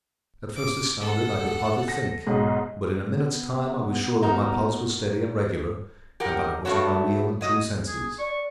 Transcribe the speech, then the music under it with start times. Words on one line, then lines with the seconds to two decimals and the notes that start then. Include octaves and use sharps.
At first astounded, I could hardly think, but in a minute's time I was sure that my pulse was steady and regular, and that I was in my real and true senses.
0.56 D6
1.00 A4 F#5
1.88 A#6
2.27 B1 G#2 G#3
3.09 B3
4.22 D#4 F#4 A#4
6.20 G4 A#4 F#5
6.65 G2 A3 F#4 C#5
7.41 F#3 D#5
7.87 G#4
8.19 D5 C#6
8.35 D5